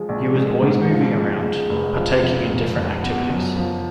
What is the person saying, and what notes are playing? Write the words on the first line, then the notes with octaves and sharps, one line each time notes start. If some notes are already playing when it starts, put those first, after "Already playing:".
He was always moving around, partaking in different activities.
Already playing: F3 G#3
A#1
G#3
G#2
F3
G#3
G#3
F1
F3
F3
F1
F2
B3
F#2
F3